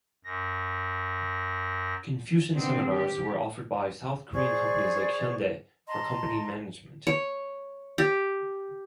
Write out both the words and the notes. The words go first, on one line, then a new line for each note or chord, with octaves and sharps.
Confucian seminars were offered by South Korean companies like Hyundai for company management.
F#2 A#6
D3 D#3 B3 C4
G4
G#4 C5 D5 C#6
D#5 A5 A#5 C6
C#5
G4